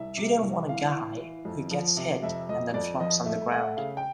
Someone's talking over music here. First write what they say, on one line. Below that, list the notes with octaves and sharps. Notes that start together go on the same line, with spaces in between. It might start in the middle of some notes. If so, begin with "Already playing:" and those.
You don't want a guy who gets hit and then flops on the ground.
Already playing: C2 E5
C3
C2
E3 F5
E3
E3
F2
F3
C3
F2 E5
F2 D#5
F2 D5
F3 D#5
A3 E5
A3 F#5
C#3 F5
G5